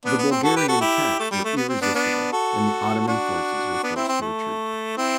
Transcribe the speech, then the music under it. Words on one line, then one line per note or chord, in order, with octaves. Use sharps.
The Bulgarian attacks were irresistible and the Ottoman forces were forced to retreat.
B3 D4
B3
C4
F#4 A4
G4 B4
F#4 A4
E4 G4
A3
G3
A3
B3
C4
B3 D4
B3 D4
F#4 A4
D4 F#4
B3 D4
C4 E4
C4
A3
C4 E4